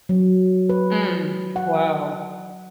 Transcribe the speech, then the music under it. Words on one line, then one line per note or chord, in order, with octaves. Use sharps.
Mm, wow.
F#3
B4
F#5